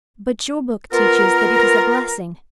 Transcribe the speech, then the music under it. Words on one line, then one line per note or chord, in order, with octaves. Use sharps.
But your book teaches that it is a blessing.
B3 F4 A#4